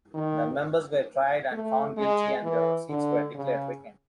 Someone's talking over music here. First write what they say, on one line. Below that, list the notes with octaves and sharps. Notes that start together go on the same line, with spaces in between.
The members were tried and found guilty and their seats were declared vacant.
D#3
A3
G#3
E3
D3
C#3